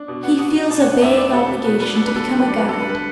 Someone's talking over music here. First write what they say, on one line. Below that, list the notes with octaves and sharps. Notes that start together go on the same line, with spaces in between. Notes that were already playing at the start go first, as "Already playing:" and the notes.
He feels a vague obligation to become a guide.
Already playing: D4
B2
B3 F#5
B2 F#5
D4
D4 A5
F#5
D3
F#5
E2 E5
B3 D5
B2 A4
B3
B2 B4
D4 B4
D4 A4
B4
D3 A4
F#2
B4
F#3
D5
D4 B4
A4
D3
B4
B4